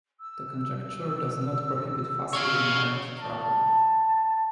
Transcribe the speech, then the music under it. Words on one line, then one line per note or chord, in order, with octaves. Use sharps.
The conjecture does not prohibit faster-than-light travel.
E6
C#5 F5
A5